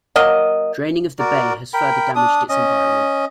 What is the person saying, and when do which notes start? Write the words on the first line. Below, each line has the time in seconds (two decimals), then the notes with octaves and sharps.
Draining of the bay has further damaged its environment.
0.16 F#3 A#3 D#5
1.19 F#4 A#4 D5
1.74 A#4 G5 B5
2.16 D4 D#6
2.49 C#4 D#5